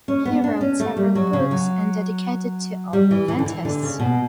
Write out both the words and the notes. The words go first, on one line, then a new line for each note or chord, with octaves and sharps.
He wrote several Books and dedicated to all Adventists.
C#4
B3
D4
C#4
A3
G3
F#3
C#3
F#3
G3
E3
E3
D3
E3
D3
C#3
B2